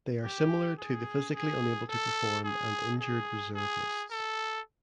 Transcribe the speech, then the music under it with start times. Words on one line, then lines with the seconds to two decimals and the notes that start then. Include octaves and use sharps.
They are similar to the physically unable to perform and injured reserve lists.
0.23 G4
0.78 G#4
1.34 G#4
1.89 A4
2.45 G#4
3.00 G#4
3.55 G#4
4.11 A4